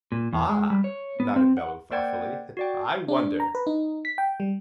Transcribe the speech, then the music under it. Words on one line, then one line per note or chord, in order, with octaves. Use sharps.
"Ah!" nodded Bellew thoughtfully, "I wonder!"
A#2
E2
G#3
G3
C#5
B3
C4
F#5
A#3 C5 D5 F#5 G5 G#6
F#4 D5 G5
D4
A#5
B4
D#4
B6
G5
G3